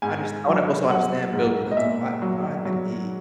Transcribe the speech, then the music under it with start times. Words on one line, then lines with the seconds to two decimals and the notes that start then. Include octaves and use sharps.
Unders I wanna also understand Bill Clinton. Why why did he,
0.02 G#2 G#5
0.47 F#3
0.90 F#3 F#5
1.33 G#2
1.71 D#5
1.77 A#2 E5
2.22 F#3
2.65 F#3